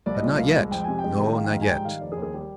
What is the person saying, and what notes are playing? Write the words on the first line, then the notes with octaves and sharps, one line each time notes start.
But not yet--no, not yet.
C2 D5
D#5
A#2 D5
D#5
C2 F5
G#3
F2 G5
C3 G#5
G5
G#3
D#3
A#1 F5
G5
G#2 F5
G#5
G3 G5
D#3 F5
F1 D5
G#4
D#2
G#4
G3 G4